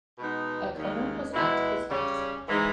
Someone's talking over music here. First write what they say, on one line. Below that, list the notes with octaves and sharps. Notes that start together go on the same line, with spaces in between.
O’Connell was at his desk.
B2 G#3 B3 D#4
D#2 C#3 G#3
B2 G#3 B3 E4
C#3 G3 C#4
G#2 E3 G#3 D#4